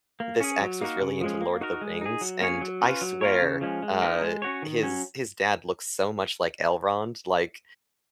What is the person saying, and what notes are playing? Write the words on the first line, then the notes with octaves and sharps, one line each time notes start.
this ex was really into Lord of the Rings, and I swear, uh, his his dad looks so much like Elrond. Like,
A#3
C#4 G#4
F#3
A#3 D#4 F#4 A#4
C#3
F3 G#3 C#4
A#3
D#4 F#4 A#4
G#3
D#4 G#4
F#3
A#3 C#4 G#4 C#5
F#3
C#4 F4 B4
F#3
A#3 F4 A#4 C#5
C#3
F3 G#3 C#4
G#3
B3 D#4 A#4
G#3
C#4 F#4 C#5
D#3
F#3 C#4